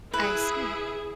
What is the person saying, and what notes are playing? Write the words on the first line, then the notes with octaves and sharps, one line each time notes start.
I see.
E4 G#4 B4